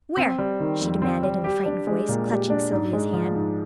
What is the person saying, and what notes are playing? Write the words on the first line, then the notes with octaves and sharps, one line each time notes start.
"Where?" she demanded, in a frightened voice, clutching Sylvia's hand.
C4
G3
D#3
F2
C4
G3
G4
D4
G#3
A#2
G4
D4
G#2
G#3
F3
G#2